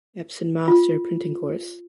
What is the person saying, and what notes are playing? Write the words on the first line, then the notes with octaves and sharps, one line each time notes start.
Epson Master Printing Course.
F4